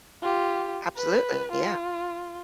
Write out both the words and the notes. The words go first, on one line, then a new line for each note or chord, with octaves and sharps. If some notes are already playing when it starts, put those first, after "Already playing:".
Absolutely, yeah.
F4 G4
B4
F4